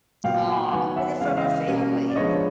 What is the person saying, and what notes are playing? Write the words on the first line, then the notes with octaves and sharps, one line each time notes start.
Aw, get it from a family.
A#2 F#3 B3 F5 G5
F#5 G#5
D#3 F#3 B3 F#5 G#5
E5 F#5
C#3 E3 G#3 F5
E5
D#5 F5
B2 G3 A#3 C#4
D5
D3 F3 G#3 B3 C#5 D#5